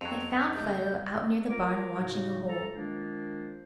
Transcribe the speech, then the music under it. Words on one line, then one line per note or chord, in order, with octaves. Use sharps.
They found Fido out near the barn watching a hole.
F2 F#3 C4 F7
C#3 G#3 A3 G6
F4 A#4 C5 A#5 D6
A2 C#3 F#3 D#4 F#4
A4 A#5
D#3 G#3 A#3 D4 F4 C5